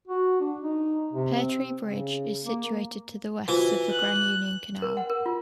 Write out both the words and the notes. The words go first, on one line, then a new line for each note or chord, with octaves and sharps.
Peartree Bridge is situated to the West of the Grand Union canal.
F#4
D4
D#4
C3
C4
C#3
A#3
E3 F4 F#4 C5
F#6
A#4
F#5
A#4
F4